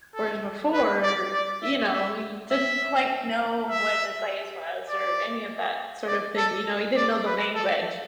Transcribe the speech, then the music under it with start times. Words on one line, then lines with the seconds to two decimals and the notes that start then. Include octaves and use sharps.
Whereas before, you know, he didn't quite know what the glaze was or any of that sort of thing, you know, he didn't know the language.
0.15 A4
0.73 B4
1.03 D5
1.33 D5
1.63 E5
1.92 E5
2.52 E5
3.70 E5
4.89 D5
6.07 D5
6.37 A4
6.97 D5
7.26 B4
7.55 A4